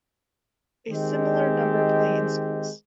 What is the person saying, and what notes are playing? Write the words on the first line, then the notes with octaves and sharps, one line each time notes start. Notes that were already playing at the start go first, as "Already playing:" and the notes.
A similar number play in schools.
D#3 G#3 C4 G4